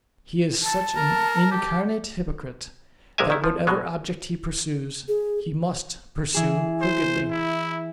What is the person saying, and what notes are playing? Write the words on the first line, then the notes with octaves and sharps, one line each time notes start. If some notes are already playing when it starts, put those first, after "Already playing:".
He is such an incarnate hypocrite, that whatever object he pursues, he must pursue crookedly.
A5
A#4
G4
A#1 C3 G#3 A#4 E5 G#5
D#3 E4
F3
B2 F#3 G#3
G#4
E3 G#4 E7
C5
E4